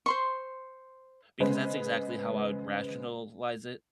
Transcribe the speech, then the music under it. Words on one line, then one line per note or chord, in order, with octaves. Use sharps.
because that's exactly how I would rationalize it.
C5 C6 C#6
C#3 G#3 B3 B4 C5